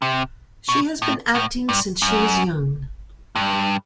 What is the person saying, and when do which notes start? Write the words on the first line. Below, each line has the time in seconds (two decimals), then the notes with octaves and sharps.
She has been acting since she was young.
0.02 C3
0.69 B2
1.02 A2
1.35 A2
1.69 G2
2.02 F#2
3.35 G2